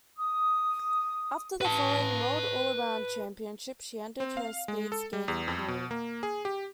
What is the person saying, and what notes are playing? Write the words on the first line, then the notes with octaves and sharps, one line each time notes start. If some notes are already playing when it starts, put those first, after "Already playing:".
After the following World Allround Championships she ended her speedskating career.
D#6
B4 A5
C4
F5
G#3
A4
G3
E2
F2
B2
A#3
G#4
G4